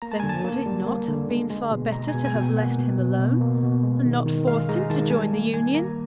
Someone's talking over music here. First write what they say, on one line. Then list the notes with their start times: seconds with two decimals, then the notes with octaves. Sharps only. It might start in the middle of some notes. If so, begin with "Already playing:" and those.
'Then would it not have been far better to have left him alone, and not forced him to join the Union?
0.02 A#3 A#5
0.12 A5
0.20 D3 G#5
0.29 A5
0.44 A#3
0.66 G3
0.87 A#3
1.08 D3
1.30 G#3
1.50 G#3
1.71 B2
1.92 G#3 A#5
2.08 G#5
2.14 B2
2.25 G#5
2.35 B2
2.41 G5
2.57 A#3 F#5
2.78 B2
2.98 B2
3.20 B2
3.41 A#3
3.63 B2
3.84 G#3
4.05 D#3
4.26 D#3
4.47 G#3 F5
4.69 G#3 A#5
4.90 D#3 A5
5.10 G3 G#5
5.33 A#3
5.53 D#3 G#5
5.74 A#3 A#5